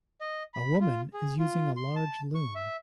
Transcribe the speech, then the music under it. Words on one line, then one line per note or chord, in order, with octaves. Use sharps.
A woman is using a large loom.
D#5
B5
F4
G#4
F4
C6
A5
C#6
E5